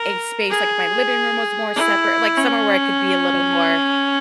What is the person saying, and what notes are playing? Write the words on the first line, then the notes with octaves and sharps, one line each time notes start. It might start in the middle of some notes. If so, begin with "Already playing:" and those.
a space, like, my living room was more separate like, somewhere where I could be a little more
Already playing: A#4
G#4
E4
C#4